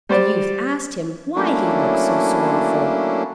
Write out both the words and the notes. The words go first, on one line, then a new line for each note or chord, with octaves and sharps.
The youth asked him why he looked so sorrowful.
G3 C5 D5
F#3 A3 A#3 C#4 D4 E4